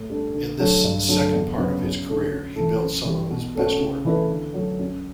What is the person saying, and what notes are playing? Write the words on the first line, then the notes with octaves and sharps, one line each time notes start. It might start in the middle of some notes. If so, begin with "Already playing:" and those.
In this second part of his career he built some of his best work.
Already playing: A2
G3 D4 A4
D3
F#3 A3 D4
G2
D3 F#3 A3
E2
C#3 F#3 B3
F#2
D3 A3 C#4
F#2
E3 A3
F#2
E3 G3
B2
A3 C#4 F#4
C#3
E3 A3 E4 B4
D3
F#3 A3
F#2